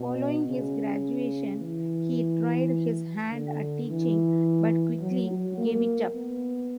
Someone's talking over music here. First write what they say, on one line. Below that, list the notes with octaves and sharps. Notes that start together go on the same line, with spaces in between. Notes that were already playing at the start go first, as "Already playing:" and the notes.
Following his graduation, he tried his hand at teaching, but quickly gave it up.
Already playing: B2
C#3
E3
D3
E3
F#3
F#3
A#3
B3